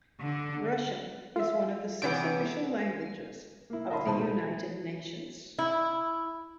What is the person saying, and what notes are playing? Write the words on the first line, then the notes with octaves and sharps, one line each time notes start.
Russian is one of the six official languages of the United Nations.
D3
F4 E5
C3 E3 B3 D7
A#3 E4
A#4 D#5 E5 A5 B5 C6
G#1 B2 C5 A5 B5
G#3 D#4
E4